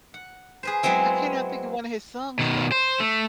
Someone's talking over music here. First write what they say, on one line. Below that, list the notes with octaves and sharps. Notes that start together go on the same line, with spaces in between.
I cannot think of one of his songs though.
F#5
G#4 B4 C5
F#3 G#3 B3 C4 E4
B2 D#3
C5
A3